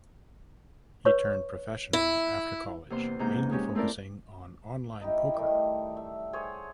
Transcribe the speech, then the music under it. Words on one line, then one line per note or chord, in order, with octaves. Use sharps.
He turned professional after college mainly focusing on online poker.
B4 C#5 C#6
E4
E2 C3 A#3 C5 C6
G#2 C3 A#3 A#5 G6
F3 G#3 C#4 G4
A3 C4 E4 A#4 D5
D#4 E4 G4
D#3 G3 A3
E5
G#4 C5 C#5 F#5